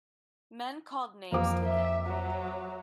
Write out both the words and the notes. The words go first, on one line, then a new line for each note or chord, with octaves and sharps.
Men called names to him.
F2 A#3 C5 D6
E5
F#3